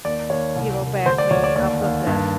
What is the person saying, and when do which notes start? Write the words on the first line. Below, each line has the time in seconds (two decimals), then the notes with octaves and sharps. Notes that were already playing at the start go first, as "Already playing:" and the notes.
he will back me up with it.
0.05 D#2 D5
0.30 D#2 C#5
0.56 C2
0.81 C2
1.06 D2 C5
1.18 D5
1.31 D2 C#5
1.44 D5
1.56 D#2 D5
1.81 D#2
2.07 G2